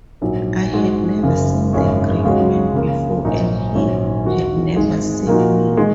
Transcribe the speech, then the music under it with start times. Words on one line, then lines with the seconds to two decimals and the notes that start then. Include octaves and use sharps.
I had never seen the great man before, and he had never seen me.
0.21 A#1 G#2 F#3
0.72 G#2 G#3 F#4
1.23 F#1 F#2 C#3
1.73 G#1 F#2 C#3 G#3 C#4
2.23 C#2 C#3 G#3 C#4 F#4
2.74 C#2 C#3 A#3
3.25 A#1 G#2 F#3 D#4 F#4
3.75 A#1 G#2 D#3 F#3 C#4
4.25 D#2 D#3 A#3 F#4
4.76 G#1 G#2 G#3
5.27 A#2 A#3 D#4 F#4
5.77 D#3 G#3